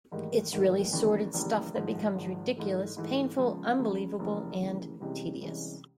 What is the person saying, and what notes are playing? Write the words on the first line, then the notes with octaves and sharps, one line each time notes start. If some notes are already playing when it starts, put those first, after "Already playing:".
It's really sordid stuff that becomes ridiculous, painful, unbelievable and tedious.
A1 G#2 D#3 G3 A#3
A1 G#2 D#3 G3 A#3
F1 D#2 C#3 E3 G3
F1 D#2 C#3 E3 G3
G#1 G#2 F3
G#1 G#2 F3
G#2 E3 A3
G#2 E3 A3
C#2 C#3 F3
C#2 C#3 F3
F1 D#2 C#3 E3
F1 D#2 C#3 E3
C2 C3 E3 G#3 C#4
C2 C3 E3 G#3 C#4